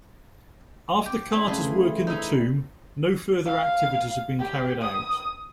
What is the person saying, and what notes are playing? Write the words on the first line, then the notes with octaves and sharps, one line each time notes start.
After Carter's work in the tomb, no further activities have been carried out.
G4
A3 C4 D4 E4
C#3 G#4
E3
D#4 E4
F5
G4
D#6